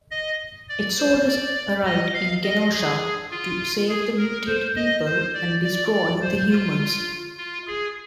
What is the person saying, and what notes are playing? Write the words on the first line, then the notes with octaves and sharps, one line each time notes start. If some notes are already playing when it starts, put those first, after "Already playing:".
Exodus arrived in Genosha to save the mutate people and destroy the humans.
D#5
D5
C5
D5
D#5
F5
D#5
G#4
F4
G#4
A#4
C5
D#5
C5
D5
D5
D5
C5
F4
F4
G#4